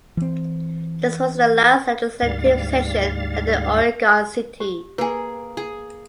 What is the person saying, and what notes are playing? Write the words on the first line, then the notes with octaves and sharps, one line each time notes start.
This was the last legislative session held in Oregon City.
E3 C4
D2 G#2 G3 F5 A6
G4
A#3 G#4 B4 G#5
G#4